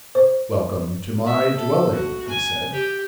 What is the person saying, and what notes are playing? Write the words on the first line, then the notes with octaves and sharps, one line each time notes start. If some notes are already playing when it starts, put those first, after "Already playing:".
"Welcome to my dwelling," he said.
C5
E5
A4
F#4
G#5
G4